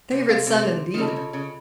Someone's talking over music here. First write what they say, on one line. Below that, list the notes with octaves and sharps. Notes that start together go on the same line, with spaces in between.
Favorite son, indeed!
C3
C3 A4 C#5 F5
C3
D#3
C#3 F4 A4 D#5 A5
C3
C#3
C#3